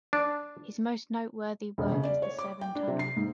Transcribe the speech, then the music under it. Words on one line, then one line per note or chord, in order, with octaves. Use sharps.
His most noteworthy work is the Severn Tunnel.
D4
E1
C#3
D5
C#5
D6
G5
D4
C3
C7
G#2